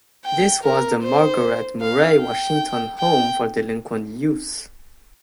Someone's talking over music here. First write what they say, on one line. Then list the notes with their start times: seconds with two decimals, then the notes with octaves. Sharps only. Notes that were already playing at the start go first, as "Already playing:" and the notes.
This was the Margaret Murray Washington Home for Delinquent Youths.
0.25 G5
0.64 A#4
1.03 C5
1.81 F5
2.21 G5
2.99 G5